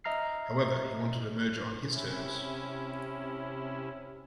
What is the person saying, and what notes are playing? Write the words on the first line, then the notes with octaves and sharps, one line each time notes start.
However, he wanted a merger on his terms.
D#5 E5 A#5 F6 C7
C3 C#4 E4